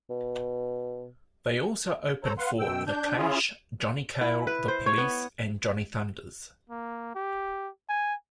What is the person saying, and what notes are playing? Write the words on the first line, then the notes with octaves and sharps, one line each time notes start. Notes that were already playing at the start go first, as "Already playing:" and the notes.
They also opened for The Clash, John Cale, The Police and Johnny Thunders.
B2
A4 C5 C#5 A#5
B4 F5 F#5 C6
F#2 B2 G5 E6
D4 G6
C#4 E4 F4 G#4
E4
B4
C5
C#5
B3
A#3
G4
G#5